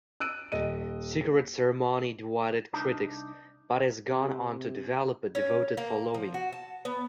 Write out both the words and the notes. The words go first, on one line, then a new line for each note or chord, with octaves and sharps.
"Secret Ceremony" divided critics, but has gone on to develop a devoted following.
E6 F#6 D7 D#7
D#1 D#5 D#7
C2 D4 D#4 A5
C3
C3
C#4
A#3
F3
F#4
A5
B3